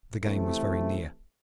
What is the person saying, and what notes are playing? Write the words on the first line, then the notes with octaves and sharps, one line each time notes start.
The game was very near.
C3 E3 A3